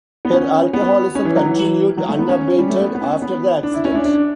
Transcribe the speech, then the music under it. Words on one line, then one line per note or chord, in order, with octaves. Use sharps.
Her alcoholism continued unabated after the accident.
B3
C#4
B3
C#4
E3
F#3
E3
F#3
A3
B3
C#4
G3
A3
B3
B3
C#4
B3
D4
E4
C#4
E4
D4
D4